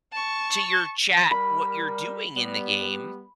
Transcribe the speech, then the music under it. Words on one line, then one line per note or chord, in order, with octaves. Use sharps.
to your chat what you're doing in the game,
A5 C#6
G3 A#4 B5
G3 B3